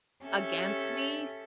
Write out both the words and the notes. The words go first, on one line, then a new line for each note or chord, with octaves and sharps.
against me s
C#4 G4 A4 E5